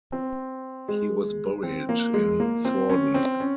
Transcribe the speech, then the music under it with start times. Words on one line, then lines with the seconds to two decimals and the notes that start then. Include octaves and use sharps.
He was buried in Vorden.
0.12 C4
0.88 G#3
1.63 C4
1.89 A#3
2.14 G#3
2.40 A#3
2.65 C4
2.89 C#4
3.14 C4
3.40 C#4